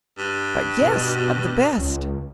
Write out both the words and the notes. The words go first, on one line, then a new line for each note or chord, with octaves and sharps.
'But yes, of the best!'
G2
B2
C#2